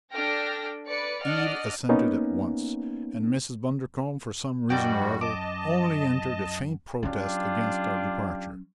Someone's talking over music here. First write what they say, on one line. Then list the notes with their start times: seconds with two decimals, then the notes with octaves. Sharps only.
Eve assented at once; and Mrs. Bundercombe, for some reason or other, only entered a faint protest against our departure.
0.12 D4 A4 G5 F6 A#6
0.87 B4 D5 C#7
1.23 D4 D5 D#5 F#5 F6
1.89 A#3 B3 C#4 D#4
4.70 F#2 D#3 G3 F#4 D5 G5
5.21 D#5 A5 D6
7.03 F#3 C#4 D4 F4 G4